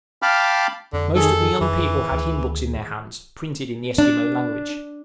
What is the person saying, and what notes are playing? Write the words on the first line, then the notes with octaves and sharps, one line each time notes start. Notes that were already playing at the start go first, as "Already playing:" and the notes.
Most of the young people had hymn-books in their hands, printed in the Esquimaux language.
F5 G5 A5 B5 D6 F6
F2 D3
D#3 G#4 A4
F2 E3
D2
D4